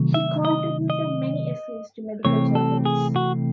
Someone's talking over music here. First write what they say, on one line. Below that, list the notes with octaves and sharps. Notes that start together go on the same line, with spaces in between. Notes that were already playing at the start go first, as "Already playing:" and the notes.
He contributed many essays to medical journals.
Already playing: C3 D#3 F#3 A3
E5
D#5
D#5
C3 E3 A3 C4 C#5
A4
G#4
F#4